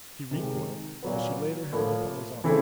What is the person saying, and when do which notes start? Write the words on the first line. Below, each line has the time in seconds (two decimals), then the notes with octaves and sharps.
He recoiled, but she laid her hand upon his arm.
0.31 C3 D#3 G#3
1.03 A#2 F#3 B3
1.73 A2 F3 A#3
2.44 C#3 E3 A3 C4 E4